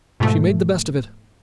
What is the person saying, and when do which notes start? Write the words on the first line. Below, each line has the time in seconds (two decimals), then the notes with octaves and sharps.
She made the best of it.
0.20 G#2 B2 F3 A3